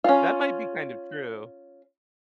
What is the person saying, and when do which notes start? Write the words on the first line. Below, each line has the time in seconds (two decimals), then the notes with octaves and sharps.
That might be kind of true,
0.04 C#4 F4